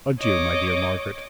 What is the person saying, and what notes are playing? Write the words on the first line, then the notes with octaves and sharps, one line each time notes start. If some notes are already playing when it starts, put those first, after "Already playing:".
Adieu, my dear Margaret.
C#5 D#5 D6